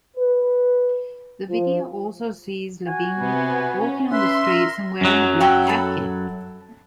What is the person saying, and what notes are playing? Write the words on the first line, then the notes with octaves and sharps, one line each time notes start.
The video also sees Lavigne walking on the streets and wearing a black jacket.
B4
F3
F#4 G#5
C3 B3
C#4
C#4 B4 E5 C6
A#4
F#2 F#3
F#4 E5 G5
A4 B5